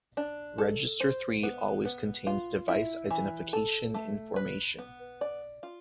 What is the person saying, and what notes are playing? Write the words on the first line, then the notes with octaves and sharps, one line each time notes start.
Register three always contains device identification information.
D4
A4
C5
B3
B3
F4
E4
E3
A4
A3
B4
B3
D5
F4